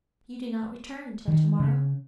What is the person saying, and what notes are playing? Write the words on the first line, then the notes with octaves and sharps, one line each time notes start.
You do not return till to-morrow?
D#3
C#3